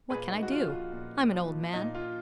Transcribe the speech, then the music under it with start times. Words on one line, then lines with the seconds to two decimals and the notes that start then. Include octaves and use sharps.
What can I do? I'm an old man.
0.10 A#2 G#4 B4
0.31 D#4
0.43 F#4
0.50 F3 F4
0.72 F4
0.92 A#2
1.33 F3
1.73 A#2 D#4
1.95 F4